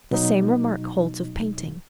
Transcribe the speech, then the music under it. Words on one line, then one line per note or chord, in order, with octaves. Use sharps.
The same remark holds of painting.
B2 F#3 D#4